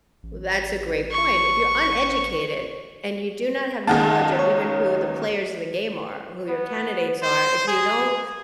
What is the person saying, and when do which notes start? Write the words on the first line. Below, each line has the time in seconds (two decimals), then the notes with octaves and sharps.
That's a great point. If you're uneducated and you do not have knowledge of even who the players in the game are, who your candidates are, if you don't
0.23 A1
1.11 C#6
3.87 C#2 D#3 A#3 G#4 F#5 A5
4.39 C#5
6.49 B3
7.22 C5
7.67 G#4